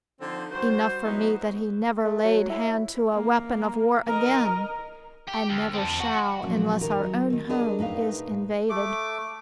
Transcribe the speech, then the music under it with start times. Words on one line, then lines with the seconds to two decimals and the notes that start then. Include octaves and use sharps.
Enough for me that he never laid hand to a weapon of war again, and never shall unless our own home is invaded.
0.21 D3 F3 C4 D#4 C5
0.52 G3 F#4 C5
1.05 F#3 B3 D#4 E4 F#4
2.05 A3
2.24 F#3
2.50 E4
3.14 A#3
4.07 A#4 D#5
5.29 G4
5.51 D2
5.75 C4 A4
6.01 F#4
6.42 A#2 F3 F#3 C#4
6.81 D#3 D#4 G4 A#4
7.03 F#3 D#4
7.30 D#3 C4
7.49 D4 G#4 A#4 B4 D#5
7.79 A2 D#4 B4 F5
8.70 A3 D6